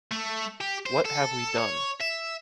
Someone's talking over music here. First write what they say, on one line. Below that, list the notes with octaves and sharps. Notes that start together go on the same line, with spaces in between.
What have we done?
A3
G4
C5
A4
C#5
E5